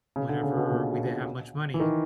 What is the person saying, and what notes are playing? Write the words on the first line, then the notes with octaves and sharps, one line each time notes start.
whenever we didn't have much money,
C#3
D3
C#3
B2
A#2
E3
D#3